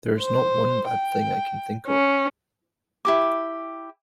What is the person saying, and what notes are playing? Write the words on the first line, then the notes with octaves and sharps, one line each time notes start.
There's not one bad thing I can think of.
C5
G5
C#4
E4 G4 D6